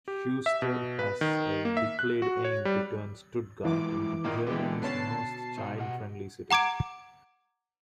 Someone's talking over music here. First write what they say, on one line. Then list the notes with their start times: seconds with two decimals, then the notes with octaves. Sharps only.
Schuster has a declared aim to turn Stuttgart into Germany's most child-friendly city.
0.08 G4
0.46 E5
0.62 B2
0.99 B4
1.21 D#3
1.65 A#3
1.77 E5
1.99 F#6
2.22 F#4
2.45 C#5
2.65 G3
3.65 E3 G#3 E4 F4 D6
4.24 A#2 D#3 A#3 E4 D#5 E5
4.47 B2 D3 E3 G#3 B3 G4
4.82 B3 C#4 A5 C7
5.58 G#2 D#4
5.78 G4 D#5 F#5
6.51 F#5 A#5 D6 G#6 D7